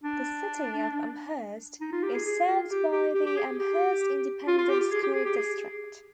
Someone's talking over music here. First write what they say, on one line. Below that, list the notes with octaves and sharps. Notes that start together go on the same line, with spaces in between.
The City of Amherst is served by the Amherst Independent School District.
D4
D#4
F4
G4
G#4
G#4
F4
G4
G4
G4
G4
G#4
G4
F4
F4
G4
G4
G#4
G4
G#4
G4
G#4